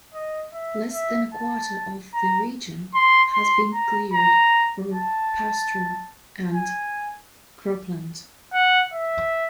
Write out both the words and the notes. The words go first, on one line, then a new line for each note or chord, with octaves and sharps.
Less than a quarter of the region has been cleared for pasture and cropland.
D#5
E5
E5
A5
A#5
C6
C6
A#5
A#5
A5
G#5
F#5
E5